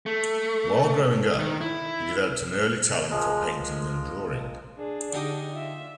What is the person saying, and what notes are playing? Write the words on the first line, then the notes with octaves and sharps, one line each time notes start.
While growing up, he developed an early talent for painting and drawing.
A3
D#3
E4
F3 G#3 A#4
D4 G#4
D3 D#4 G4
F4 E5